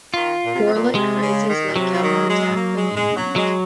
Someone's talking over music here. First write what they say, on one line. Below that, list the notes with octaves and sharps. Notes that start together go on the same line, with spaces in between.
Warlike phrases like Counterattack the mainland!
D#3 F4
A#2
C3
C3
A#2
C3 G#3
C#3
D#3
A#2
C3 F#3
F3
D#3
G#3
A#3
G#3
G#3
F#3
F#3 G#3